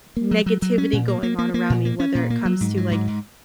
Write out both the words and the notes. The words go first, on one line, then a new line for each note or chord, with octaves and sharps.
negativity going on around me, whether it comes to, like,
A#3
F#3
F#3
F#3
C#4
A#2
A#3
A#3
A#3
A#3
A#2
A#3
C#4
A#2
A#3
F#3
G#2
F#3
G#2
G#2